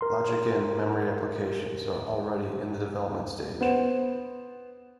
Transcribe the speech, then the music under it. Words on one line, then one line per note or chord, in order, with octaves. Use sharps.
Logic-in memory applications are already in the development stage.
A#4 C6
B3 C5 E7